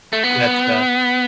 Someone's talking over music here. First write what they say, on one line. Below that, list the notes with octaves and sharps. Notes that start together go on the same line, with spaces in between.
That's the
A3
B3